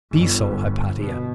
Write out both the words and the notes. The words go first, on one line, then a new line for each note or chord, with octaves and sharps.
Be so, Hypatia....
G1
B2